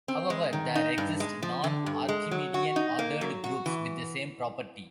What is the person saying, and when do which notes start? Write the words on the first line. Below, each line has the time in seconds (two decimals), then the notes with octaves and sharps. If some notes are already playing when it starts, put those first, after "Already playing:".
However, there exist non-Archimedean ordered groups with the same property.
0.08 C4
0.30 G#3
0.53 D#3
0.75 D#4
0.98 G2
1.20 G#3
1.43 F3
1.64 D3
1.86 G2
2.09 G#3
2.31 F#3
2.54 F#4
2.76 D#4
2.99 A#3
3.21 F#3
3.44 F#4
3.66 E3